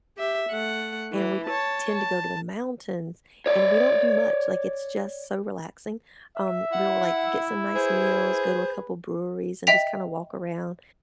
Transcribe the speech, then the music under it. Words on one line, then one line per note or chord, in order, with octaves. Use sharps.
and we tend to go to the mountains, and we don't do much, like, it's just so relaxing, um, we will, like, get some nice meals, go to a couple breweries, and just kinda walk around,
G4 E5
A3 F#5
E3
C#5 A5
A5
C#5 D5
E5
E4 F#5
G#4 B4 C5
D#5 E5 G5 B6 F7